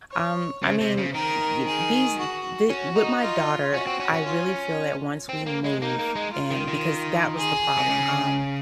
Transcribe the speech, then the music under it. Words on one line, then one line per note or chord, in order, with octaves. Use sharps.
Um, I mean, e e eh these d the with my daughter, I really feel that once we move and because that was the problem, um,
C#5
C#3 C5
C3
C#3
D#3 A#4
G#4
F#4
C#4 F#4
D#4
F4
C#4 F#4
C4
C#4
C#4
F4
C4
A#3
G#3
A#3 D#4
A#3
G#3
F4
D#3
D#3
G#4
C3
C#3